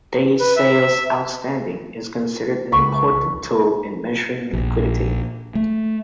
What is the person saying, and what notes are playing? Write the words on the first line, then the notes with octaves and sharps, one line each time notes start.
Days sales outstanding is considered an important tool in measuring liquidity.
B4
E5
C#2 B5 C#6
A#1
A3